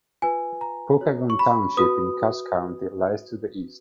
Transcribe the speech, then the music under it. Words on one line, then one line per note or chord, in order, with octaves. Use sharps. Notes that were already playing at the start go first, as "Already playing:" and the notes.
Pokagon Township in Cass County lies to the east.
F4 B4 G#5
A#5
F#4 C#5
C#6
B5
F#4 B4 D#6